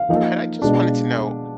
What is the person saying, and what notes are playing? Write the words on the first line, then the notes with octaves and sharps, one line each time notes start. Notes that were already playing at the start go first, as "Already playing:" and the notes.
Alright, I just wanted to know,
Already playing: F5
F3 A#3 D#4
B2 G#3 D4